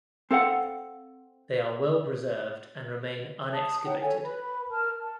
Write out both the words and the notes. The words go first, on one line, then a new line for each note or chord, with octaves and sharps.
They are well preserved and remain unexcavated.
C4 A4 F5 F#5
A5 D#6
D#4 C#5 F#5 G5
A4 C#5 G#5
B4 B5
A#4 A5 F6
A5